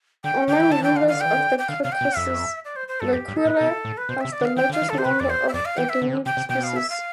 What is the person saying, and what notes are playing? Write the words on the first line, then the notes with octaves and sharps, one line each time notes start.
Among rivers of the Caucasus, the Kura has the largest number of endemic species.
D3 G5
D3 G5
E3
D3 A5
E3 G5
D3 F5
E3
F5
D3
E3 G5
D3
G5
D3 F5
C3 F5
G5
B2
F2 E5
D5
C5
C5
G2 A4
F2 G4
G2
A4
A2 B4
B2 A4
A2
B4
B2 C5
C3 E5
D5
D3
F5
E3 G5
D3
F5
E3
D3 A4
C5
C3 B4
F2 D5
E2 C5
E5
F2 D5
F5
E3 G5
E5
D3
C3
D3
C3 G5
C3
B2 G5
F5
E5
F5